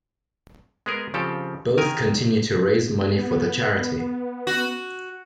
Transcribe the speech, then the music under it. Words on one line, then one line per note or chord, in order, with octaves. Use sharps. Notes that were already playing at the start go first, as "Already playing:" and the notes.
Both continue to raise money for the charity.
G#3 B3 G#4 A#4
C#3 F3 C4 G4 A4
D#3 A#4 G#5
B3
F#4